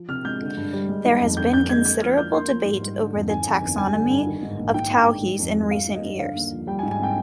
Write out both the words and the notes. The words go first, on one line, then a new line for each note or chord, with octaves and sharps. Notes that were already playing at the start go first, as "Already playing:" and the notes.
There has been considerable debate over the taxonomy of towhees in recent years.
Already playing: F3
C3 F6
G#3 G6
D3
G2
G3
G#3
D#3
F2
D3 G6
F2 G6
G#3 G#6
A#3 G6
F3 F6
D4 G6
A#3 C6
F3
G#2
G3
D3
F2
D#3 G#5
F2
G1
G3 G#5
D3
G2
D#3
G#2
A#1
D#3 G5
G2
G#3
D#3
F2
G3
G3 F5
D#3
D#5
G2
D3 F5
D#2
F3
G3 G5
G#5
G#2
G#5
C4 G5